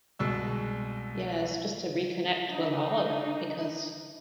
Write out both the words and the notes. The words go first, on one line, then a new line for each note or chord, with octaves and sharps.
Yes, just to reconnect with all of it because
C2 B2 G#3 E6
D4 D#4